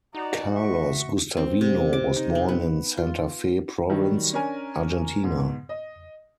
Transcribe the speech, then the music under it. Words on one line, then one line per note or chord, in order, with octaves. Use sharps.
Carlos Guastavino was born in Santa Fe Province, Argentina.
D#4 F#4 D5 A#5
F#4 E5 C#6
C4
C3
D6
D#4
C4
B3
F4
D#3 F#3 G3
C#4 D4 A#4 G#5 A#5
G#2 B2
D#5